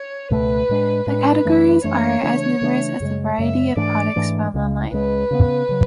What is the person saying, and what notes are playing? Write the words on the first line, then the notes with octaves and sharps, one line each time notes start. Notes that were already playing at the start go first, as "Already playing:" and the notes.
The categories are as numerous as the variety of products found online.
Already playing: C#5
C#2 B2 A3 B4
A2 G#3 D4
A2 G#3 D4 B4
F#2 E3 A3 D4
F#2 E3 A3 D4 C#5
C#3 E3 A3 D4
C#3 E3 A3 D4
F#2 C#3 G#3
F#2 C#3 G#3 E5
G#2 E3 A3 D4 D5
G#2 E3 A3 D4
C#2 C#3 G#3
C#2 C#3 G#3 B4
C#3 F#3 B3
C#3 F#3